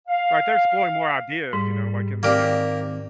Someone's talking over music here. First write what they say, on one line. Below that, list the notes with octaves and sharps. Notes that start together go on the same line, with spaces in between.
Right, they're exploring more ideas, you know, like in the j uh
F5
G#2 G3
D#3 A#3 C4 G4 D5 F6